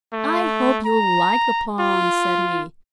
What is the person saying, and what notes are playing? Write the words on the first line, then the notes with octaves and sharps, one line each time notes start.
"I hope you'll like the pond," said he.
A3
A#5
F4